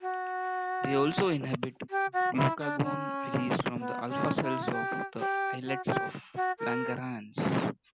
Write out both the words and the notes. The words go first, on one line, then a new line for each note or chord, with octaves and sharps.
They also inhibit glucagon release from the alpha cells of the islets of Langerhans.
F#4
G4
F#4
E4
D4
C#4
B3
C#4
E4
F#4
G4
G4
F#4
G4
F#4
A#4